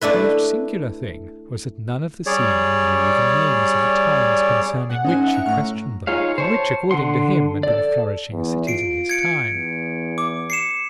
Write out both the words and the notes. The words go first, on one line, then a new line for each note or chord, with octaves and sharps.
The most singular thing was that none of the seamen knew the names of the towns concerning which he questioned them, and which, according to him, had been flourishing cities in his time.
A3 D4 E4 B4
G3 G#4 C#5 D5
F#5 G#5
C#4 D#4 G#4 C5 D#5 G#5
E5 A#5 C#7
A2 A#5 F6
D#4 F4 G#4 C#5 F5
C5 C#5 A5
D3 F#5 C6
A4 D5
E2
F4 C7 D7
G#6 C#7 D7
E2
D6
C7 C#7 E7